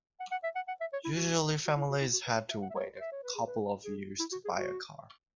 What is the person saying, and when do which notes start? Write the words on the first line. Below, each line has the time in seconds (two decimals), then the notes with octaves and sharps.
Usually families had to wait a couple of years to buy a car.
0.20 F#5
0.32 F#5
0.44 E5
0.55 F#5
0.68 F#5
0.81 E5
0.93 C#5
1.05 E4
1.17 F#4
1.66 F#4
1.77 E4
1.90 F#4
2.01 E4
2.13 F#4
2.26 B4
2.38 C#5
2.51 E5
2.62 F#5
2.70 E5
2.75 C#5
3.00 E5
3.12 C#5
3.24 B4
3.36 G#4
3.47 B4
3.84 G#4
4.20 E4
4.32 F#4
4.45 G#4
4.56 F#4